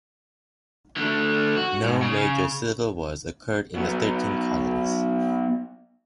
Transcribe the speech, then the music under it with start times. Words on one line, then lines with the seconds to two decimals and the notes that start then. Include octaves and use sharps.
No major civil wars occurred in the thirteen colonies.
0.97 D3 A3
1.57 F#4
1.84 G#2
2.02 C#3
3.75 F#3 B3